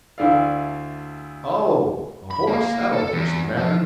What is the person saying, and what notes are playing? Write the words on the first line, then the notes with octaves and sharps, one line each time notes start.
'Oh! a horse; that alters the matter.
D2 D3 E4 D5 F5
B5
A#3
A4
E2
F3